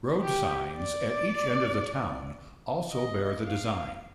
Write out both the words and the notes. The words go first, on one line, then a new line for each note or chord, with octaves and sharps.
Roadsigns at each end of the town also bear the design.
G4
D5
D#5
F5